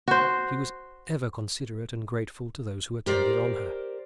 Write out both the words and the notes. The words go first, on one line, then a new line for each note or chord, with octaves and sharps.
She was ever considerate and grateful to those who attended on her.
F#4 C5
G4 A#4 C5 D5